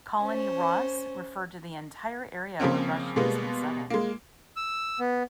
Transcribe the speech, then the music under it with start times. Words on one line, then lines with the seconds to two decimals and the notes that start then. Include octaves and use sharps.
Colony Ross referred to the entire area where Russians had settled.
0.21 C#4 C5
2.60 C#3 F3 A#3 C4 C#4
3.16 B2 G3 G#3 A#3 B3
3.90 G#3 A#3
4.56 E6
4.99 B3